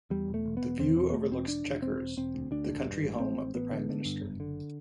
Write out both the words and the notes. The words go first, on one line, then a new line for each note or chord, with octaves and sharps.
The view overlooks Chequers, the country home of the Prime Minister.
E2 G3
E1
A3
E1
B3
E1
E2 C4
E1 C4
B3
E1 A3
E1 C4
E1 D4
E1
E1 C4
E1
E1 C4
D2
D2 D4
E1
G2
A1
A1 C4
A1
A1 B3
D3
D3
G2
F#1
D3